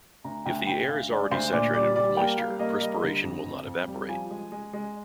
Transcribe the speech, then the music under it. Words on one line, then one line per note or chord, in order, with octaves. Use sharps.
If the air is already saturated with moisture, perspiration will not evaporate.
D2 A#5
D2 G5
D2 G5
D2 F5
G#3 D5
D2 C5
A#2 D5
G3 D5
G3 D5
A#3 G5
G3 F5
A#3 D#5
G3 D#5
D3
F2
F2
F2
G3
F3 G#5
G#3
G#3
G#3